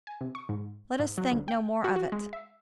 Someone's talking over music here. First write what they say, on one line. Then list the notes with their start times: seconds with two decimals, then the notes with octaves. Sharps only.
Let us think no more of it.
0.07 G#5
0.21 C3
0.35 C#6
0.49 G#2
0.99 G#2
1.18 F#3
1.32 D2
1.48 G5
1.84 F#4
1.96 F#4
2.12 G#3
2.33 E5